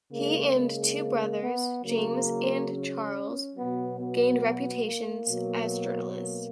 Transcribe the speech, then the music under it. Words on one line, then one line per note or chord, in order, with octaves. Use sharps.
He and two brothers - James and Charles, gained reputations as journalists.
C#3 G#3 A#3
A#3
B3
C#3 F#3 A#3
C#4
B2 F#3 B3
B3
A#3
B2 F#3
A#3